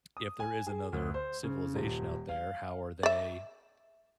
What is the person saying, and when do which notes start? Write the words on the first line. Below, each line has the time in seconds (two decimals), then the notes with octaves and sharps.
if there is another civilization out there, how are they
0.17 D#6
0.40 G#5
0.67 G#4
0.93 D2
1.14 C5
1.44 C#3
1.75 D#1
2.29 F5
3.03 D5 E5